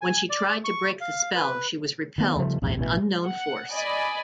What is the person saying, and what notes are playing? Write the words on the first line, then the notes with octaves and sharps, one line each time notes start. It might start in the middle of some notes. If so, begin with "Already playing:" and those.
When she tried to break the spell, she was repelled by an unknown force.
G#5
D5
C#6
F5
B4
D#3 B3 C4
C#3 F3 G3 A3
A#1 E2 G#2 C3
A1 B2 D3 E3
F#5
D5 D#5 G#5 B5